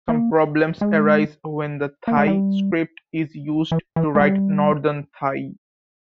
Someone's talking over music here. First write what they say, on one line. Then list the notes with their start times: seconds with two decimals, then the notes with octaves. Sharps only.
Some problems arise when the Thai script is used to write Northern Thai.
0.09 A#3
0.81 G#3
2.08 A#3
2.17 G#3
2.27 G3
3.72 E3
3.96 E3
4.15 G#3
4.21 G3